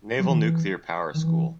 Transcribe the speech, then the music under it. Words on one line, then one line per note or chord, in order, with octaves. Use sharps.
Naval Nuclear Power School.
F#3
E3
D#3
E3
D#3
E3